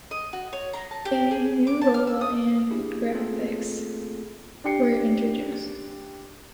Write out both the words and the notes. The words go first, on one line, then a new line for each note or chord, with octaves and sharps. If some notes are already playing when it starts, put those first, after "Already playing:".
A new logo and graphics were introduced.
D#5
F#4
C#5
A#5
A5
G4
G#4
D6
A5
F6
E6
D#6
D4 E4 G4 G#4
A3 A#3 C4 F4 G#4 A4
D4 G4 G5 C7 C#7